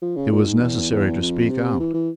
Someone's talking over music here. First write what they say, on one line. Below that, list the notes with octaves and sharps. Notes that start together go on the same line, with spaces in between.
It was necessary to speak out.
F3
C#3
A#2
G#2
E2
E2
F2
C3
E3
E3